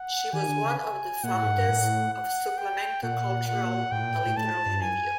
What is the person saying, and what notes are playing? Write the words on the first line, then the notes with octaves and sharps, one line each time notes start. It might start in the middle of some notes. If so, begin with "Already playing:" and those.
She was one of the founders of "Suplemento Cultural," a literary review.
Already playing: F#5
D#3 G#5
D3
C#3
G#5
A#2 F#5
A2
G#2
G2
A2
F#5
G5
A#2 F#5
F#5
A2 G5
A#2
A2
A2
A2 A5
G2
F#2 G#5